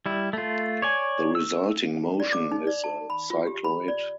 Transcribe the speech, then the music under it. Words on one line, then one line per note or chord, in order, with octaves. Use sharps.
The resulting motion is a cycloid.
G3 E4
A3 F4
C#5 D5 G#5
E6
D5
D6
D#4
D5
A5
B5
F4
G4
B5
D5